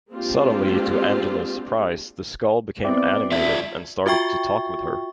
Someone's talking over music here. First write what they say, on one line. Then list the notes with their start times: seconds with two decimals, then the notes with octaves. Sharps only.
Suddenly to Angela's surprise, the skull became animated and started to talk with her.
0.11 G#3 A#3 C4 D4 F4 G4
2.84 B3 C4 E4 D5
3.32 F4 D5 E5
4.06 F4 F#4 E5 G5 C#6